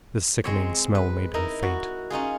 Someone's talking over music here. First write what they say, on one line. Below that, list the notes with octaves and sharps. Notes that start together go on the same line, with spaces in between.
The sickening smell made him faint.
G#3 C4 C#5
B4
D#4 E4 A#4
F#4
C#4 D#4 F4 G#4